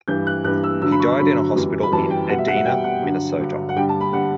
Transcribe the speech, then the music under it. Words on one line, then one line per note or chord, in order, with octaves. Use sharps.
He died in a hospital in Edina, Minnesota.
G2 E3 G3 G6
F#6
G2 E3 G3 F#6
E6
G2 D3 F#3 E6
B5
C#6
G2 D3 F#3 B5
F#2 E3 G3
B5
F#2 E3 G3 A5
G5
B2 G3 F#5
E5
F#5
E5
B2 G3 G5
F#5
G2 D3 F#3
G2 D3 F#3
F#5
G2 D3 G3 G5
A5
B5
D3 G3 F#5